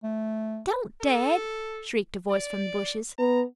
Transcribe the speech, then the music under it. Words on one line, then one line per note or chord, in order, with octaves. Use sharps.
"Don't, Dad!" shrieked a voice from the bushes.
A3
A4
D5
B3 A#5